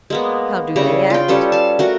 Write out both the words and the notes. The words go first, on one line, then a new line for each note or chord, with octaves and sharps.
How do they act?
G#3 A#3 B3
C#3 G3 E4 A#5
F4 G5
G3 C#4 A4 B4
F5 A5
A3 F#4 A#4